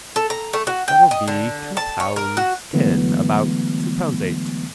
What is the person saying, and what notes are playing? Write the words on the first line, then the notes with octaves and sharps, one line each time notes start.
That'll be two pounds ten about two pounds eight.
A4
A#5
A3
F#4
G5
D#5
D3
A5
C#5
A#4
F#4
D3 E3 F#3 G#3 A3 B3